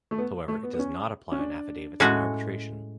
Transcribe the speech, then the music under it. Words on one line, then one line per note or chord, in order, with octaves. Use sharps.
However, it does not apply on affidavits and arbitration.
A3
B3
A3
B3
B3
C#4
C#4
D4
A2 G#3 C#4 F#4